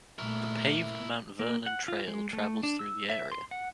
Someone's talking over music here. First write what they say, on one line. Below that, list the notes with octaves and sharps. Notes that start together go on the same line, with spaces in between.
The paved Mount Vernon Trail travels through the area.
A#2 A3 E4 A#4
A#3
F#5
F4
G#3
A3
D4
E6
E5
C6
F#5